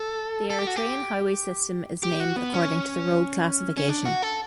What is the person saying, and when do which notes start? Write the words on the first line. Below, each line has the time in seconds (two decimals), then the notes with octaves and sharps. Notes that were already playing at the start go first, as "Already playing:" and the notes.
The Eritrean highway system is named according to the road classification.
Already playing: A4
0.50 A4
0.59 G4
0.67 F#4
0.76 G4
2.03 G4
2.20 F#4
2.36 B3
2.54 C#4
3.77 C#4
3.89 D4
4.05 F#4
4.22 A4